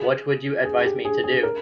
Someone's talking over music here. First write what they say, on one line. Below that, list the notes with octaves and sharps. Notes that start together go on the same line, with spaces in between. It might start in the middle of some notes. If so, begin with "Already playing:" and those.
What would you advise me to do?
Already playing: G#4
G#4
G#4
G4
G#4
G#4
A#4